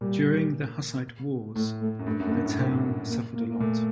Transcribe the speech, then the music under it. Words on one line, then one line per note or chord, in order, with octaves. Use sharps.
During the Hussite wars the town suffered a lot.
A#2 G3
A2 A3
A3
F#2
G2 A3
F#2
A3
G2 A#3
A2
A#2 C4
A#3
A#3
A#3
A#2 A3